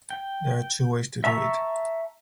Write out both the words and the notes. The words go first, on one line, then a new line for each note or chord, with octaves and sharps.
There are two ways to do it.
G5
E5 A5 A#5 C#6 E6